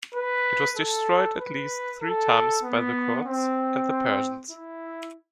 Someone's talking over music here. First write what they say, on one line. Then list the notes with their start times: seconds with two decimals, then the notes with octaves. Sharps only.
It was destroyed at least three times by the Kurds and the Persians.
0.14 B4
0.77 A4
1.39 B4
2.02 A4
2.63 B3
3.25 C4
4.50 E4